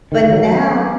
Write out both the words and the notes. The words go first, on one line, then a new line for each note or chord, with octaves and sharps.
But now
D#3
F#3